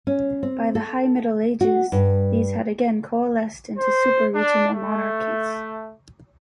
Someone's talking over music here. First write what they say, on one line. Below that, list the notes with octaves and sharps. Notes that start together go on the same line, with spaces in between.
By the High Middle Ages, these had again coalesced into super-regional monarchies.
C#4
C4
A4
F#4
G2
C5
D4
A3